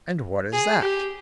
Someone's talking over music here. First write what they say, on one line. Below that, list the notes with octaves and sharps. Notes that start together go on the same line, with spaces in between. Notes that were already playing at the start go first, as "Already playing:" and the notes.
"And what is that?"
G#4
G4